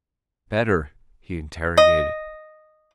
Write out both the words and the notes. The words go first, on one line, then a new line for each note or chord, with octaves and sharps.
"Better?" he interrogated.
D#5